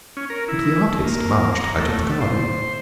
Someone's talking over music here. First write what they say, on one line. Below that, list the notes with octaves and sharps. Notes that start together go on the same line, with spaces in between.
But the artist marched out of the garden.
C#4
A#4
E4
A#3
A#5
A3
C5